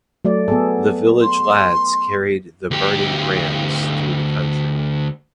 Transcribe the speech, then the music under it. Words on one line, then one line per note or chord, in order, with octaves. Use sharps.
The village lads carried the burning brands through the country.
F#3 A3 D5
B3 G#4 A4
C6
D2 G4